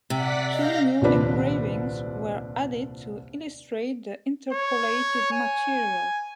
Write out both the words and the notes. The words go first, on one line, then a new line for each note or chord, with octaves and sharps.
Two new engravings were added to illustrate the interpolated material.
C3 D5 F#5 B6
D#5 F5 G6 A#6
D#1 C2 F3 C4 D4 B4
C#5
G#5